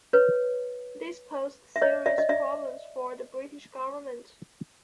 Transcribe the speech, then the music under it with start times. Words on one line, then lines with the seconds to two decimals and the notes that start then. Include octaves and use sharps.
This posed serious problems for the British government.
0.13 B4 C#5
1.76 E5
1.82 C#5 D#5
2.06 D5 E5
2.18 D#5
2.29 D5 E5